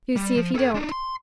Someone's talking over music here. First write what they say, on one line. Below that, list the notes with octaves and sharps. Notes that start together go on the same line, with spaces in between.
You see if he don't!
G3
F3
A4 G5
D4 D#4
C6